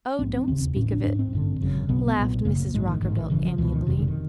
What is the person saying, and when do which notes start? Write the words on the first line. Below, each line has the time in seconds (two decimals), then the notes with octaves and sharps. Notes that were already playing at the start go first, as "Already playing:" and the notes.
"Oh, don't speak of it," laughed Mrs. Rockerbilt, amiably.
0.19 A#1 G#2 C4
0.34 C4
0.48 E1 D#2 C#3 C4
0.76 A1 A2 C#4
0.91 D4
1.04 G#1 D4
1.07 G#2
1.19 C4
1.33 A1 G2 D3
1.61 G#1 F#2 C#3
1.89 B1 B2 B3
1.99 C4
2.07 B3
2.18 B1 A#2
2.45 F#1 F#2 C#3 A#3
2.60 A#3
2.74 A#1 G#2 G#3
2.87 D#3
3.02 A1 G#2 D#3
3.16 D#3
3.30 F#1 F#2 C#3 E3
3.45 F3
3.58 C#2 B2 E3
3.72 D#3
3.87 F#1 F2 C3 D#3
3.97 D3
4.08 D#3